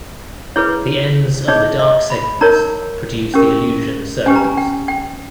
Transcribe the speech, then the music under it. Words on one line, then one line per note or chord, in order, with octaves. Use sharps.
The ends of the dark segments produce the illusion of circles.
E4 G#4 B4 C#5
D#4 G#4 C#5 D#5
D#5
B5
D#4 A#4 C#5 A#5
C#4 G4 A#4
C#4 G4 B4 G#5
A#5
G#5
G5
G5